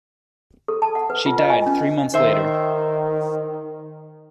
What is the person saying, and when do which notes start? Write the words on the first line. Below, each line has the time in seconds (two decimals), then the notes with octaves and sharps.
She died three months later.
0.68 A4
0.82 A5
0.95 F#5
1.10 B4
1.26 F4
1.39 D#5
1.50 G#5
1.66 C#4
2.14 D#3 C5 E5